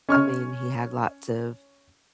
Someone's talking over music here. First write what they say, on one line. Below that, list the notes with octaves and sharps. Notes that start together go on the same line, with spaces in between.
I mean, he had lots of
C#4 C#6 F6